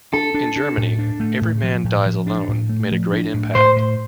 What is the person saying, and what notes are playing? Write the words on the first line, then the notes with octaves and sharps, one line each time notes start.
In Germany, "Every Man Dies Alone" made a great impact.
D4 A4
D4
D4
A2
D4
A3
A2
F3
A2
F3
D4
A2
A3
F3
D4
A2
A2 C5
A2